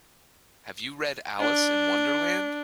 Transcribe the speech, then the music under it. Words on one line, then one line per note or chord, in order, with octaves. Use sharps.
Have you read Alice in Wonderland?
D4